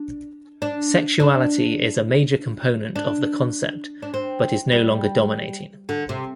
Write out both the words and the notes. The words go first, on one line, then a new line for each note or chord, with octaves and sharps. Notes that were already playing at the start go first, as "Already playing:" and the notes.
Sexuality is major component of the concept but is no longer dominating.
Already playing: D4
D4
D4
D4
D4
C4
G3
D3
C3